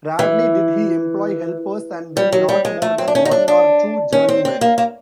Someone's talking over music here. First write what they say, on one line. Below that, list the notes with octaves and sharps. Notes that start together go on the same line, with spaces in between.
Rarely did he employ helpers and then not more than one or two journeymen.
E3
G3
F#3
G3
G#3
A3
C4
D4
C#4
D#4
D4
D4
C#4
C4
C4
A#3
A#3